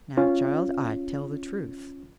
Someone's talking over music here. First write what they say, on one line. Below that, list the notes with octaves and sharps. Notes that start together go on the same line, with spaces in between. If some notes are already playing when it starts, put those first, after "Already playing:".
Now, child, I tell the truth.
C#4 F4